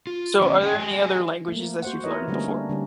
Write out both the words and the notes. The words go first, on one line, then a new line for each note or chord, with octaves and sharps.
so are there any other languages that you've learned before?
F4
D#3 F#3 B3 C#4
G#3 C#4 D#4 A4 D5 G5
G4 G#4 D#5 G#5
A3 A#3
F#4 C5 F#5
D#4 E4 A#4 B4 C#5 D#5
D3 G3 A3 A#3 C4 C#4
G3 A#3 D4
D3 G3 C#4